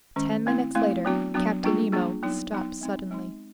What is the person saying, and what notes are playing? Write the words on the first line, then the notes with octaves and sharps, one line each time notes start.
Ten minutes later, Captain Nemo stopped suddenly.
D#3 G#3 C#4
A3 C4 E4
A3 C4 E4
F#3 B3 D4 F#4
F#3 B3 D4 F#4
G3 A#3 D4 F4 G#4
G3 A#3 D4 F4 G#4
F#3 B3 D#4
F#3 B3 D#4
G#3 C4 D#4
G#3 C4 D#4